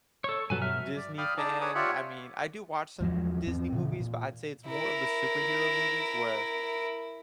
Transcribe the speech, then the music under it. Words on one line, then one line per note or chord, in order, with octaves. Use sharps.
Disney fan, I mean, I do watch some Disney movies, but I'd say it's more of the superhero movies, where
A4 C#5
G2 B2 F#3 A4 B4 G#5
E5 F6
D5
D5 F5 G5 B5 D#6 F6
D4 D#4 G#4 D5 A5 D6
G#4 B4 C#5 D6 D#6
F4 G4 C#5 D5 E5 F#5
E2 G#2 F3 F#3
E2 C4
A#2 C#3 E3
A#2
E4 A#4